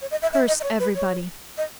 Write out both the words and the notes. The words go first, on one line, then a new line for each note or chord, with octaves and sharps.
Curse everybody!
C#5
D#5
E5
E5
D#5
D#5
C#5
B4
C#5
D#5